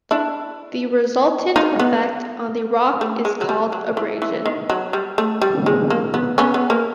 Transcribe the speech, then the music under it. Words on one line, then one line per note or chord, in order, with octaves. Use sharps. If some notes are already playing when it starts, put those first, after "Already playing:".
The resultant effect on the rock is called abrasion.
D4 E4
D#4 F4
B3
A3
G#3
F#3
G3
F#3
E3
E3
D#3
F#3
G3
A3
G3
G#3
A#3
B3
B3 C#4
B3
A#3